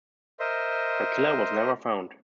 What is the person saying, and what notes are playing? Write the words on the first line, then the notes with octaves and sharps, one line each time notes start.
Her killer was never found.
A#4 C5 D#5 E5 C6